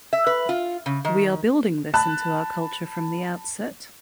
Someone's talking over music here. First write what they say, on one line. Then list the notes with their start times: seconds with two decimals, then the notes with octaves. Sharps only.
We are building this into our culture from the outset.
0.13 E5
0.27 B4
0.49 F4
0.86 C#3
1.05 D#3
1.94 A5 B5 F#6